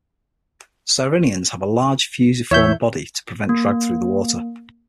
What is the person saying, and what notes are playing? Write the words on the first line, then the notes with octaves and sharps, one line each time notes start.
Sirenians have a large, fusiform body to prevent drag through the water.
E2 C#5 E5 G6
A#3